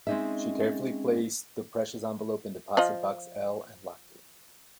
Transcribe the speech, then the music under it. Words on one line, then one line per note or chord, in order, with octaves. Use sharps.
She carefully placed the precious envelope in deposit box L and locked it.
G#3 C4 C#4 D#4 G#4 E5
F3 F4 D#5